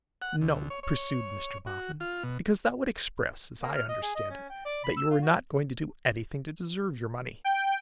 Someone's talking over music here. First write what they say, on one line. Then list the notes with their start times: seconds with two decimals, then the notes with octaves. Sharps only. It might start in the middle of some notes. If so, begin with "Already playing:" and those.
'No,' pursued Mr Boffin; 'because that would express, as I understand it, that you were not going to do anything to deserve your money.
0.22 F#5
0.41 D2
0.70 C#5
0.83 C#5
1.67 F#4
2.00 F4
2.23 B2
3.62 A#3
3.75 F6
3.89 D#5
4.02 G#4
4.15 D#5
4.30 C#4
4.50 G5
4.65 D5
4.84 B5
4.97 E6
5.11 F4
5.22 F#4
7.44 G5